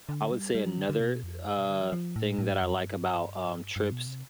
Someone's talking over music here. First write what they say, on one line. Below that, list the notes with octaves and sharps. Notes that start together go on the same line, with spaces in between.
I would say another, uh, thing that I like about, um, trips
D3
G3
G3
F3
D3
D3
B2
F2
G2
B2
D3
F3
F3
A2
A2
G2
F2
G2
G2
B2
C3